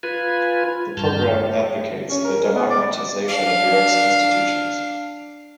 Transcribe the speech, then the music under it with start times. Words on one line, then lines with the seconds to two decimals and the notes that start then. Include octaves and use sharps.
The program advocates the democratisation of Europe's institutions.
0.03 F4 B4 G#5
0.97 G2 A5 F6 G6
2.09 C#4
2.24 A#4
2.43 G#3
2.55 B3
2.70 D5
3.28 D4 F5